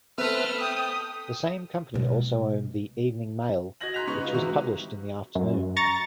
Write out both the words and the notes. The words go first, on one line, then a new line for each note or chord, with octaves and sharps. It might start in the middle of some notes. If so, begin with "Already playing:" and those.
The same company also owned the "Evening Mail", which was published in the afternoon.
A3 B3 C4 B4 E5 F6
G5 D#6
B2 G#3
F#4 D#5 G#6 A#6 F#7
A#5 C6 F#6 B6 F7
C#3 G#3 B3 D#4 D#5 C#6
F4 F#4 B4
G#2 C3 E3 G#3 F#4
F#2
A#5 C#6 A6